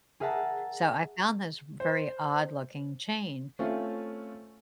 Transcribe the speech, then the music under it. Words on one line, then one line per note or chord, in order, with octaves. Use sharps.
So I found this very odd-looking chain,
G#4 A#4 E5 F#5 A5 A#5
C5
A3 C4 C#4 F4